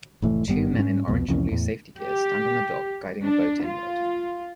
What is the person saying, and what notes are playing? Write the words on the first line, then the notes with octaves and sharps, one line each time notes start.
Two men in orange and blue safety gear stand on the dock guiding a boat inward.
F1 A2 E3 A3
G#1 G2 G3 B3
G#2 G3 C#4
C2 F2 B2
C2 F2 E3 C#4
E2 A2
G4
D4
F4